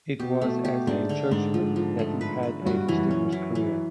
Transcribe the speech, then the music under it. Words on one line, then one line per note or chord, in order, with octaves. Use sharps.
It was as a churchman that he had a distinguished career.
B2 G4
B2 A3
B2 G4
G#2 D4
D3
G#2 D4
F3
F3
A3
B4
B4
F#2
G2 F#4
F#2 E3
G2
F#2 C#4
E3
E3